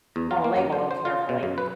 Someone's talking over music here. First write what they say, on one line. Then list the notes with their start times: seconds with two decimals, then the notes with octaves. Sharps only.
Gotta label 'em carefully.
0.16 E2
0.31 F4
0.44 A#3
0.56 F#2
0.72 C5
0.91 C5
1.05 F4
1.29 B2
1.43 F#2
1.58 B4